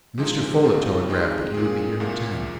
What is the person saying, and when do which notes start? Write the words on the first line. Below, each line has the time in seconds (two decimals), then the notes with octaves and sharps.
"Mr. Folett telegraphed that he would be here at ten."
0.18 C3 F3 G#3 D#4
0.63 D#2 D#3 C4 F4
1.09 G#2 G#3 C4 D#4
1.54 A#2 G#3 C4 G#4
2.00 C2 A#2 A#3